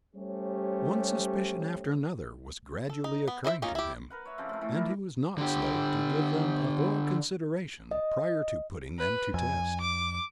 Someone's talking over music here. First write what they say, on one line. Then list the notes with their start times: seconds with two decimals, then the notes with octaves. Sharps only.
One suspicion after another was gradually occurring to him, and he was not slow to give them a thorough consideration prior to putting them to test.
0.16 G3 A3 C#4 G4 C5 C#5
2.89 A4
3.04 D#4
3.28 B3
3.44 E4 C5 D#5 E5
3.62 A#3 C#4 D#4 F4
3.75 E4 G4
4.10 A#4 B4 F#5
4.25 C#5 E5
4.38 C#3 F3 C4 G4
4.49 A2 A3
4.61 E3
4.75 E4 A#4 D5
5.38 D3 G4
7.91 D#5
8.99 B4
9.34 F2 G#5
9.81 D6